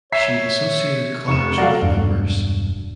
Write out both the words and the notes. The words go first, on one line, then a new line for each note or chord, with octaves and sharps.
She associated colours with numbers.
C#5 E5 B6 C7
F1 C#6 E7
F#3 F#4 A4 D5 F5
E1 G2